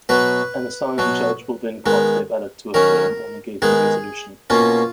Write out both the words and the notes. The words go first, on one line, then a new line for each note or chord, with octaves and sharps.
An assigned judge will then cast a ballot to affirm or negate the resolution.
B2 F#3 B3 B4
B2 F#3 B3
D#3 G#3 B3
D#3 F#3 C#4 A#4
D#3 G#3 B3 G#4
B2 A#3 C#4 F4